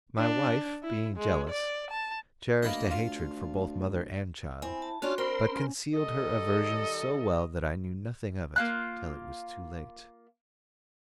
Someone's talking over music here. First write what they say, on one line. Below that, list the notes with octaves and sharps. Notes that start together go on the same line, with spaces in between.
My wife being jealous, cherished a hatred for both mother and child, but concealed her aversion so well, that I knew nothing of it till it was too late.
D4
E4
G#3
D5
A5
D2 A#3 B4 D#5
F4
C4 E4 G#5
A5
C#4 D4 F4 F#4 C#5 C6 C#6 F6
C4 A#4 C5 B5 C6
C#4
D#3 G3 A4 D#5
A#3 F4 F#6